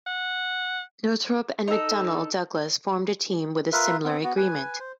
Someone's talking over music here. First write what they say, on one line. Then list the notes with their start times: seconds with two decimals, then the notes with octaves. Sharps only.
Northrop and McDonnell Douglas formed a team with a similar agreement.
0.06 F#5
1.68 D#4 A4
3.73 F4 A#4 B4 E5
4.04 B3 C4
4.24 B3 F#4
4.37 B4 G#5
4.79 C5